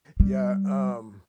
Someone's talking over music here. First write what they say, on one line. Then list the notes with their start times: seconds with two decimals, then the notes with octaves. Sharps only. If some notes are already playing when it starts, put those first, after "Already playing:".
yeah, um
0.20 G3